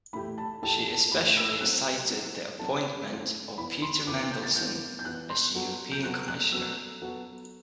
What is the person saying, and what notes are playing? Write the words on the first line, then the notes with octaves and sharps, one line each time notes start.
She especially cited the appointment of Peter Mandelson as a European Commissioner.
A2 E3 A3 E4 G4 B5
A5
A2 E3 A3 E4 G4 A5
A5
A2 E3 A3 E4 G4 B5
E6
E6
F#3 C4 E4 A4 F#6
F#3 C4 E4 A4
F#3 C4 E4 A4 A5
F#3 C4 E4 A4
E3 B3 E4 B5
C6
E3 B3 E4 D6
D6
G6
A6
E3 B3 E4 G6
G6
E3 B3 E4 F#6
C6
F#3 B3 F#4 A4
G6
F#3 B3 F#4 A4 F#6
F#6
F#3 B3 F#4 A4 E6
F#3 B3 F#4 A4